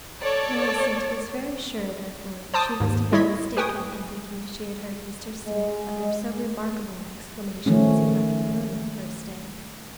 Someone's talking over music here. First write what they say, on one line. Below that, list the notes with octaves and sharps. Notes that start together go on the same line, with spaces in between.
Mellicent was very sure, therefore, that she must have been mistaken in thinking she had heard Mr. Smith utter so remarkable an exclamation as he left the room that first day.
A4 C#5 D5
C5 A5 D6 D#6
D#2 G#2
G3 E4 C#5 D#5 G#6 B6
G4 B4 G5 G#5 C#6 D#6
G#3
D#3 F3 A3 C#4